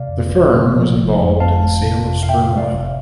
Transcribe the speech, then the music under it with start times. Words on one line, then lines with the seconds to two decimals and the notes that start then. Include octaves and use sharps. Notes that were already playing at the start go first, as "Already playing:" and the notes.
The firm was involved in the sale of sperm oil.
Already playing: C3 D5 F5
0.09 F2
0.30 G1
0.53 C3
0.75 F3
0.96 G1
1.19 F2
1.40 F2 F5 A5
1.63 G1
1.85 C3
2.07 F2
2.23 F5
2.29 C3 E5 G5
2.50 C3
2.58 D5 F5
2.73 G1